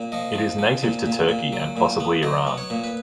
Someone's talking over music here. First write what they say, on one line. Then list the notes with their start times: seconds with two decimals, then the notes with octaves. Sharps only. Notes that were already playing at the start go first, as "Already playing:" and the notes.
It is native to Turkey and possibly Iran.
Already playing: A#2
0.12 F3 D#5
0.35 F3
0.59 F3
0.83 A#2
1.06 A#2
1.29 A#2
1.53 F#3
1.77 A#2
2.00 B3
2.23 F#3 D#5
2.47 B3
2.57 C#5
2.70 A#2
2.84 B4